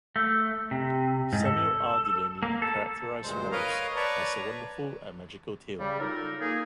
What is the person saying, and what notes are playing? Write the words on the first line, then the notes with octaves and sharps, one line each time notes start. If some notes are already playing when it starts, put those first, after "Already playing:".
Samuel R. Delany characterized "Rose" as a "wonderful and magical tale".
A3
C3
G#2
A4
A#3
A4
D2 G2 A#2 G#3 C5
A#4 B4 C#5 D#5 F5 A#5
B4 C#5 D5 A5 A#5 C#6
C#3 G3
F#3 D#4 F4 A4 A#4
A#3 D#4 G#4